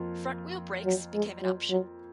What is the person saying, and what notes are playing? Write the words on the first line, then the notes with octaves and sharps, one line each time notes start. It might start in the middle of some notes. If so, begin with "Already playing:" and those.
Front-wheel brakes became an option.
Already playing: F2 F3 A#3 F4
F#3
G#3
F#3
F#3